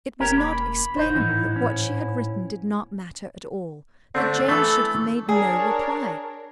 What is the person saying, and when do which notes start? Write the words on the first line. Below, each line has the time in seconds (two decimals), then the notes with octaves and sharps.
It was not explainable that what she had written did not matter at all, that James should have made no reply.
0.20 E1 C#4 G4 A#4
0.37 A#3 B5
0.96 F1 G#2 D#4 E4 C5
1.15 A2 E3 D#4
1.56 C#4
4.15 D3 A3 C4
4.49 E3 A3 A4
5.29 D4 G#4 A#4 C#5